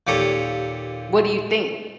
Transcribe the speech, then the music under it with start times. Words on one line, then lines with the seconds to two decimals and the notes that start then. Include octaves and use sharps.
What do you think?
0.07 D#2 A#2 G4 A4 C#5 A#5